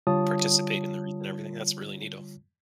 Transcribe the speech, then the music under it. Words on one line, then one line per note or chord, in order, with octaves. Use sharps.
Participate in the wreath and everything, that's really neato.
D3 G3 F4 C#5 A5 D#6